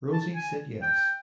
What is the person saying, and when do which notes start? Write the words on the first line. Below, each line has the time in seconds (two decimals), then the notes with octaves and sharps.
Rosie said yes.
0.13 A5
0.36 G#5
0.82 G5